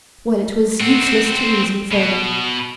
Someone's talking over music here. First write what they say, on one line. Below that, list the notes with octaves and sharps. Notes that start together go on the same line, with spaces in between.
Well, it was useless to reason further.
C4 F#4
B2